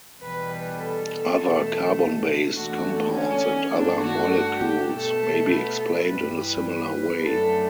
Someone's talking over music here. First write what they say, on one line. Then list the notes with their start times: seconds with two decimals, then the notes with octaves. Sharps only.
Other carbon based compounds and other molecules may be explained in a similar way.
0.21 E2 B2 G3 B4
0.51 B4
0.80 A4
1.09 A4
1.39 E2 B2 A3 A4
2.55 E2 D3 A3 F#4
2.85 A3
3.14 C#4
3.72 G2 D3 A3 D4
4.02 F#4
4.31 F#4
4.60 G4
4.90 B2 A3 A4
5.48 B3
5.77 A4
6.06 G2 E3 G3 B4
7.23 F#2 D3 A3 A4